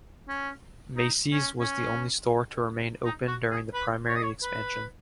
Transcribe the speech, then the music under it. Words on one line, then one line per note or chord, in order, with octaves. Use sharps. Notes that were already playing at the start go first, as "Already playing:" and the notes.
Macy's was the only store to remain open during the primary expansion.
C#4
D#4
C#4
C#4
D#4
F#4
G#4
B4
C#5
D#5
C#5
B4